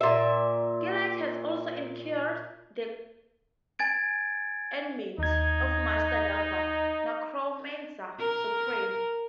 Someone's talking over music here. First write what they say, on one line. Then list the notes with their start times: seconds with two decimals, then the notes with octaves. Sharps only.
Gilad has also incurred the enmity of Master Darque - necromancer supreme.
0.01 A#2 E5
3.79 G#5 G#6 A6 D7
5.18 D#2 D#4 G#6
8.19 A#4